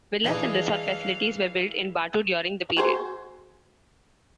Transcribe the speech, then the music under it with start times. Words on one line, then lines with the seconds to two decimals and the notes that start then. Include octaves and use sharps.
Villas and resort facilities were built in Batu during the period.
0.24 E3 G#3 D4 G#4 F5
2.77 F#4 G#4 C5